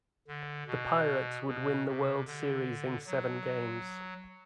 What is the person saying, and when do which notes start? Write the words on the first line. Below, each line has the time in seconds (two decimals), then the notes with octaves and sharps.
The Pirates would win the World Series in seven games.
0.28 D3
0.67 B2
1.47 B2
1.87 C3
2.26 D3
3.07 F#3